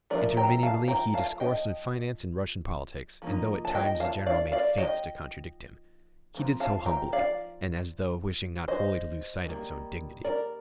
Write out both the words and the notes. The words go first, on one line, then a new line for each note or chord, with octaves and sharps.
Interminably he discoursed on finance and Russian politics, and though, at times, the General made feints to contradict him, he did so humbly, and as though wishing not wholly to lose sight of his own dignity.
F3 A3 D#4 A#4 D5
G5 A#5
F5 A5
G5 A#5
F5 A5
D#5 G5
F3 A#3 D#4
A5
D#5 G5
F5 A5
D5 F5
D5 F5
D#5 G5
F3 C4 D#4
F5 A5
G5 A#5
D5 F5
C5 D#5
D#3 G3 A#3
A#4 D5